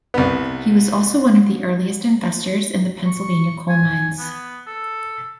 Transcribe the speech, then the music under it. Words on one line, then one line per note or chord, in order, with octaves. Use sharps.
He was also one of the earliest investors in the Pennsylvania coal mines.
C2 B3
C#6
G#5
B3
A4